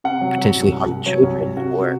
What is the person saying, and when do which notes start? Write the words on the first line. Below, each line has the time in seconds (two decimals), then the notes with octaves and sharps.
potentially harming children or,
0.04 C3 F#5
0.21 F#3
0.38 F#3
0.55 C2
0.72 C2
0.89 C2
1.06 F#3 C#5
1.23 C2
1.40 C2
1.57 C3 F#4
1.74 C3